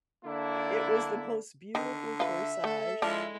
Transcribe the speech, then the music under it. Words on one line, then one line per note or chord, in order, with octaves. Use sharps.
it was the most beautiful corsage,
D3 A#3 D4 E4
D3 D#3
F4 B4 E5
A3 A4
F3 G#3 D4 E4